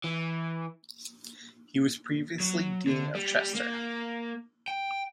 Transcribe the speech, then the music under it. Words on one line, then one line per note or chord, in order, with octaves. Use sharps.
He was previously Dean of Chester.
E3
F#3
D3
G3
A#3
G5